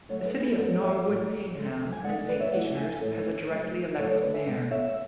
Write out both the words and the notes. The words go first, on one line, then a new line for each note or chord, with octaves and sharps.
The City of Norwood Payneham and Saint Peters has a directly-elected mayor.
D3 F#3 A3 A4 C#5
G#4 B4
G#4 B4
D5
A2 F#3 A3 A4 C#5
C#5 E5
A2 F#3 A3
D3 G#3
G#5
D3 G#3 D5 F#5
B4 D5
C#5 E5
A2 E3 A3 D5 F#5
E5 G#5
E5 G#5
E5 G#5
D5
A2 E3 A3 A4 C#5
C#3 F#3 A3
C#3 F#3 A3 A4 C#5
A4 C#5
B4 D5
E5 G#5
D3 G#3
C#5 E5
E5